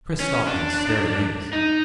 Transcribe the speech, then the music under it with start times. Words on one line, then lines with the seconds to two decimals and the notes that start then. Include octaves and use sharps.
Chris stopped and stared at Amos.
0.20 C#4
0.47 D4
1.53 D#4